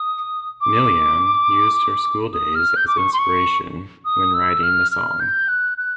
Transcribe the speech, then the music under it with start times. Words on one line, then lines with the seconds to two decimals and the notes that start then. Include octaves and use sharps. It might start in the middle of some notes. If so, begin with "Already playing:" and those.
Milian used her school days as inspiration when writing the song.
Already playing: D#6
0.61 D6
2.33 D#6
2.55 F6
2.76 G6
2.88 D6
2.98 C#6
3.13 C6
3.19 C#6
4.05 D#6
4.34 E6
4.63 F6
4.91 F6
5.20 G6
5.49 F#6
5.78 F#6